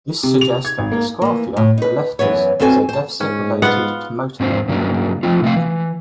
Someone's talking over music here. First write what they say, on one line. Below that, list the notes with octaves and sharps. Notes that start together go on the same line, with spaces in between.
This suggests that dysgraphia for letters is a deficit related to motor memory.
C3
F7
G#6
G#1
A#3
E3 A#3
A2
D#4 B4
F#2 E3 B3 C#5
E2 C4 F#4 A4 E5 G#5
C5 A5
G#2 C#4
B3 F4 F#5
G#2 C4 D4 C5
G2 C#3 F#3 A#3 D4
F3 A3 C4 F4
C3 A3 C4 F5
E3